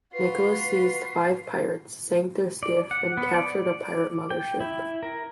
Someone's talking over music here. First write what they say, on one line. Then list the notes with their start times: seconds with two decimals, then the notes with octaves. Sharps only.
"Nicholas" seized five pirates, sank their skiff and captured a pirate mother ship.
0.13 F4 F#4 B4 C7
2.63 D5
2.91 F#5
3.17 B3
3.34 D5
4.30 G5
4.60 E4
5.03 A#4